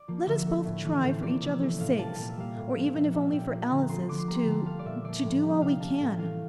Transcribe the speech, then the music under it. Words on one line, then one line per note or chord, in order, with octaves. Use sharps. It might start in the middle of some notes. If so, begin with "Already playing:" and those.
Let us both try for each other's sakes, or even if only for Alice's, to--to do all we can.
Already playing: D5
F3 A#3
D3 E5
A3
A2
E3 A3
A2 C5
F3 A#3 D5
C3 E5
E3 A3
A2 F5
G3 A#3 A5
A#2 F5
E5
G3 A#3 F5
A2
F3 A#3
A#2 E5
G3 A#3 E5
A#2 G5
F3 A#3
D3 A#5
F3 A3 C6
D3 D6
C6
G3 A#3 A#5
C6
D3 A5
A3 F5
D5
A#2 E5
F3 A#3 D5
A2
G3 A#3
C3 F5
G3 A#3 A5
A2
E3 A3 F5